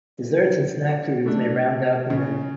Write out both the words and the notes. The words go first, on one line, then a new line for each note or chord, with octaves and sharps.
Desserts and snack foods may round out the menu.
A3 D4
C#3